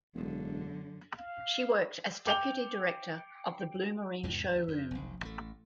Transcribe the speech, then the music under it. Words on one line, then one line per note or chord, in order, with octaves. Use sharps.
She worked as deputy director of the Blumarine showroom.
E1 F#2 D3
F5
G5 D6 G6 F7 G7
E2 G#2 C3 E3
D2
F2
F1 B1
A1 D3 A3